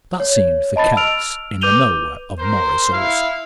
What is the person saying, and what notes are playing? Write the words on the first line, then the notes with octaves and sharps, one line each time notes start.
That seems the case in the "Nowhere" of Morris also.
C#5
D#5 A5 B5 A6
E6 F6 D7 F7
B4 D6 G6 D#7 F7 G7
A#4 C5
E4 F5